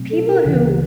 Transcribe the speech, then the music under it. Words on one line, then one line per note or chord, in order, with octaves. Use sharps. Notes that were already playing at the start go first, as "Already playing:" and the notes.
people who
Already playing: B2 F#3 A3 C4
A4
A#4
D2 C#3 E3